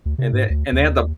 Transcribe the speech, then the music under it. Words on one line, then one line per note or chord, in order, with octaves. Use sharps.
and they and they had the
D2
C3
G#2
D2
D#2